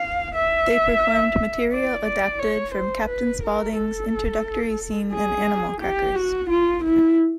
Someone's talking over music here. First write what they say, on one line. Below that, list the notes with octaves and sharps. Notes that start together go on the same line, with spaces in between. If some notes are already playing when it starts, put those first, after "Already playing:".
They performed material adapted from Captain Spaulding's introductory scene in "Animal Crackers".
Already playing: F5
E5
D5
D5
C#5
C5
B4
A#4
A4
G#4
G4
F#4
F4
E4